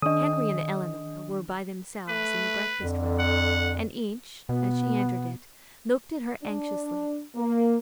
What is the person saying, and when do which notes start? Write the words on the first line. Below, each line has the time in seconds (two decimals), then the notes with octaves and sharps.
Henry and Eleanor were by themselves in the breakfast-room; and each, as she entered it, looked at her anxiously.
0.02 D#3 D4 D#5 D#6
2.09 A3 B4
2.81 F2 D3
3.20 F#5
4.49 B2 B3
6.43 D4
7.35 A#3